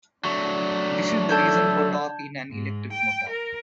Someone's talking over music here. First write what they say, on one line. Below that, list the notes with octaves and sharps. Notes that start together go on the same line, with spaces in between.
This is the reason for torque in an electric motor.
F#3 A3 D4 C#6
A4 A5 G6 G#6
G#2
G5
A#4